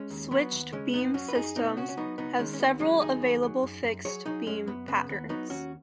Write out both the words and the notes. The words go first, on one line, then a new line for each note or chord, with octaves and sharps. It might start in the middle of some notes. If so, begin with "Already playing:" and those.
Switched beam systems have several available fixed beam patterns.
Already playing: G#3 C#4
D#2
F#3 B3
D#2
C#3 G#3 C#4
F#2 B3 D#4
F#3 C#4 F#4
B4
F#2 D#4 G#4
B2 B3 D#4
C#2 C#4 F#4
C#4
F#3 B3 D#4
C#2 B3 D#4
D#3 G#3 C#4
C#4
D#2 B3
F#3 G#3 C#4
D#2 D#4 G#4
F#3
F#3
F#2
F#2
F#3 G#4 C#5
F#3 D#4 G#4
F#2 G#3 C#4
F#2 B3
C#3 B3
D#2 B3
F#3 B3 D#4
D#2 C#4 F#4